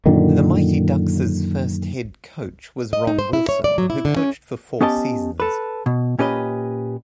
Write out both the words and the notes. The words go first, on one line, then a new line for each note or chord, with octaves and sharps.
The Mighty Ducks's first head coach was Ron Wilson, who coached for four seasons.
F#2 A#2 D3 D#3
D#5
D#4
C5
E4
C#5
D5
F#3
E4
D3
C#4
B3 C#4 G4 D#5 A5
A4 B4
B2
A#2 C#4 G4 B4 D#5